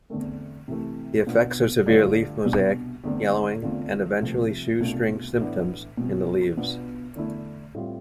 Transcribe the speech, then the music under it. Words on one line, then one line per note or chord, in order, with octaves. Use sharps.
The effects are severe leaf mosaic, yellowing and eventually "shoestring" symptoms in the leaves.
E2 D3 A3 C4
C3 E3 A3
B2 B3 D4 F4
G2 D3 A3 D4 F4
C2 B2 G3 D4
E2 D3 A3 C4
E2 D3 A3 C4 F4
C2 C3 F3 A3
C2 B2 A3 D4 F4
A2 E3 B3 D4
B2 G3 C4 F4
B2 B3 D4 F4
E2 D3 A3 E4
A2 G3 C4 F4